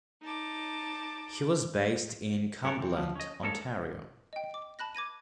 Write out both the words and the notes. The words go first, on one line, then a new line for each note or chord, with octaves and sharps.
He was based in Cumberland, Ontario.
D#4 A5 D6
B1 G2 C#4 F#4 A4 A#4
E3 C4
F3
C#4 D#5
G#3 A#3 C#4 A4 A#4
D#5 G5
D6
A5 B5 F#6 A#6
D6 G#6 A#6 D#7